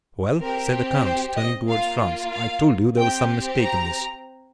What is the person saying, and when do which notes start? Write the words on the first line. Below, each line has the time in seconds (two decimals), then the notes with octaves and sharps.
"Well," said the count, turning towards Franz, "I told you there was some mistake in this."
0.40 C4 G4 A#4
1.04 C5
1.36 D#5
1.68 A#3 F4 F5
2.33 F5
2.97 C4 G4 G5
3.61 A#5